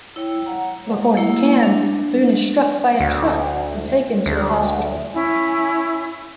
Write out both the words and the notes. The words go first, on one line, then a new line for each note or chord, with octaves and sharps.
Before he can, Boone is struck by a truck and taken to a hospital.
E4 C#5 G5
C#5 F#5 A#5
A3 A#3 E4
D4
D2
D2
C#4 E4 G#5